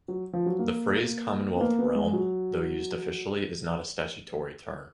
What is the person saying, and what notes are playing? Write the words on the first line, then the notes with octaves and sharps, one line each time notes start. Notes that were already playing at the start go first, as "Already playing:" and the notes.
The phrase "Commonwealth realm", though used officially, is not a statutory term.
F#3
F3
F#3
A#3
B3
A#3
B3
G#3
F#3